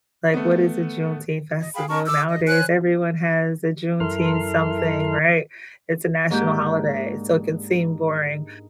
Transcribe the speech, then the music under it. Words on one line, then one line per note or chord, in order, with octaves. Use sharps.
Like, what is a Juneteenth festival, nowadays? Everyone has a Juneteenth something, right? It's a national holiday, so it can seem boring,
A3 B3
D#5
G#4 F5 G5 B5
C#4 A#4 A5 C#6
D6 E6
D#5
C5 C#5 G#5 F#6
F#2 E4 A4 A#4 C6 F6
G#2 A#3 D4 G4 G6